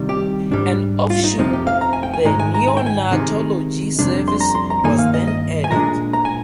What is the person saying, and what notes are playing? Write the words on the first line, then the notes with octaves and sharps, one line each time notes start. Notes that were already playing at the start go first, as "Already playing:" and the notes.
An offshoot, the neonatology service, was then added.
Already playing: C2 C3 D#3 G3
G4
G#2 G3 D4
F4
D#4
F2 C3 F3 C4 D#4
G4
F5
A#5
G#5
G5
G#5
G#2 D#3 G#3 D#4 A#5
G#5
A#5
G#5
G5
G#5
C3 D#3 G#3 D#4
F2 C3 G3 D4
C6
A#5
C6
A#5
G2 D#3 A#3 D#4 G#5
F5
D#5
D#5
G#5
A#2 F3 G#3 D4 A#5
A#5
G#5